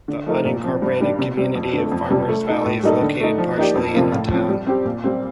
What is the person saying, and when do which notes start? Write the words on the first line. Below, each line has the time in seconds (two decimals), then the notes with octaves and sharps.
The unincorporated community of Farmers Valley is located partially in the town.
0.08 D3
0.26 F3 A3 D#4 A#4
0.45 A#2
0.64 F3 C4
0.82 G2
1.00 D#3 G3 D4 G4
1.18 C3
1.37 G3 C4
1.55 F2
1.73 D3 A3
1.92 F2
2.10 C3 G3
2.29 A3
2.47 D#4 A4
2.65 A2
2.83 G3 A#3 D#4 A4
3.01 D3
3.20 A3 D#4
3.38 F3
3.57 A#3 D#4 G4 D5
3.75 F2
3.94 C3 F3 A#3 F4
4.12 A2
4.30 F3 C4
4.49 G3
4.67 C4 G4
4.85 A#2
5.04 G3 C4